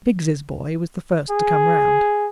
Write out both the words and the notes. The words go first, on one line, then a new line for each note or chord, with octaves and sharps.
Biggs's boy was the first to come round.
G#4